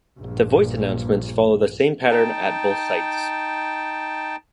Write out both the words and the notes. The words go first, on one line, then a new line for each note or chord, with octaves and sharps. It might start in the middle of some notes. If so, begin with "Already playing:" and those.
The voice announcements follow the same pattern at both sites.
A#1 G2 A#2
D#4 G5 A5